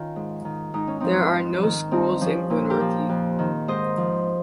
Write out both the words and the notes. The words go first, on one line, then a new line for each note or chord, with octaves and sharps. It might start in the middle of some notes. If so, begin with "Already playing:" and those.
There are no schools in Glenorchy.
Already playing: D#3 C#4 F4
G#2
D#3
G#2 D#4
C#4
F3 C4 D#4
F2
D#3
G2 C4 D#4
F3 C#4
A#2 C#4
G4 A#4
F3
F2
D#3
G#2 C5 D#5
F3